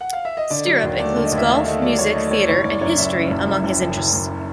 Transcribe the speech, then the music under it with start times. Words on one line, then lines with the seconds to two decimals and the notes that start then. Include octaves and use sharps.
Stirrup includes golf, music, theatre and history among his interests.
0.01 F#5
0.13 F5
0.25 E5
0.37 D#5
0.50 D3 D5
0.66 F#3
0.83 D#2
0.99 A3 D5
1.16 D3
1.25 D#5
1.32 D#2
1.38 E5
1.49 D3 F5
1.65 A3 D#5
1.82 F#3 D5
1.98 A3 C#5
2.14 A3 D#5
2.27 D5
2.31 A3 C#5
2.48 F#1 C#5
2.64 F#1 D5
2.81 F#2 C#5
2.98 F#1 E5
3.14 C#3
3.30 F#1
3.47 F#2
3.63 F#1
3.81 F#1
3.97 F#1
4.13 F#1